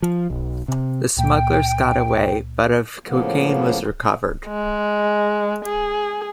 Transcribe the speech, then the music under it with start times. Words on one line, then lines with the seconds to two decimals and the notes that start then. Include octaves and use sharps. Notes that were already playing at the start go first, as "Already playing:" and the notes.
The smugglers got away, but of cocaine was recovered.
0.02 F3
0.30 B1
0.68 C3
1.17 C#2 A#2 G5
3.05 A2 C#3 F3 A#3 B3
4.47 G#3
5.65 G#4